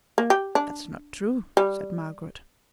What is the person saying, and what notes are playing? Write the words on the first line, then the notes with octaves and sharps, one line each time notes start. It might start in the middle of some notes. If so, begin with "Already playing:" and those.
'That's not true,' said Margaret.
A#3
G4
D4
G3